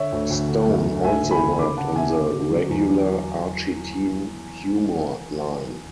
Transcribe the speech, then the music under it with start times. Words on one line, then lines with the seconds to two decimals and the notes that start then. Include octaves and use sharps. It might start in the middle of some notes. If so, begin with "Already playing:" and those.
Stone also worked on the regular Archie teen-humor line.
Already playing: D3 C#5 E5
0.12 D2
0.30 D2
0.48 D3
0.67 F#2
0.85 D3
1.03 D2 E5 G#5
1.23 D2
1.31 G#5 B5
1.41 D3
1.59 C#3 B5 D6
1.77 C#3 F#5 A5
1.95 C#3 E5 G#5
2.14 D3
2.33 D3
2.51 F#3
2.69 E2